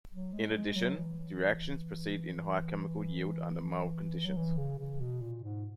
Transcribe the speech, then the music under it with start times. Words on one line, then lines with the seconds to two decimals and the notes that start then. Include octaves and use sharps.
In addition, the reactions proceed in high chemical yield under mild conditions.
0.13 F#3
0.33 G#3
0.54 G#3
0.75 F#3
0.96 E3
4.25 F#3
4.37 E3
4.58 C#3
4.78 C#3
5.01 B2
5.21 A#2
5.43 G#2